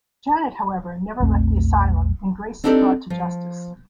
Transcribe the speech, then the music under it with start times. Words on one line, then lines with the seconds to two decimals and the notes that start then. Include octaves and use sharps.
Janet, however, never left the asylum, and Grace is brought to justice.
1.20 A#1 E2 A3 C4
2.64 C4 D4 D#4 G4 A4 D5
3.10 F3